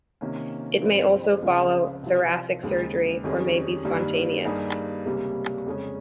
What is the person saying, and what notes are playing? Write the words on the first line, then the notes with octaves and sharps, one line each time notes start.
It may also follow thoracic surgery, or may be spontaneous.
C3 D#3 A#3 C#4
G2 F3 C4
C#2 C#3 F3 C4 F4
C2 C3 F3
D#2 C#3 G#3
F2 D#3 G3 C#4 G#4
G2 D#3 G3 A#3
G2 G3 A#3 D#4 G#4
C#2 C3 G3 A#3 C#4
F2 C#3 G#3 C#4